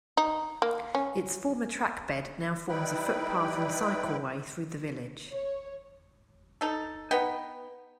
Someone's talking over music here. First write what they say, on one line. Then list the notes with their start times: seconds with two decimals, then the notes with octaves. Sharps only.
Its former trackbed now forms a footpath and cycleway through the village.
0.17 D#4
0.62 A#3
0.95 C#4
2.69 G3 D#4 E4 B4 G5 B5
5.30 C#5
6.61 D#4 A4
7.11 B3 D#4 G5